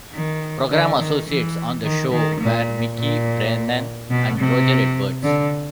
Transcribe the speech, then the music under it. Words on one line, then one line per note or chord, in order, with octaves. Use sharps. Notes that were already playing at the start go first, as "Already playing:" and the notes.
Programme associates on the show were Mickey Brennan and Roger Edwards.
D#3
D3
D#3
E3
D#3
D#3
A#2
A#2
B2
C3
D3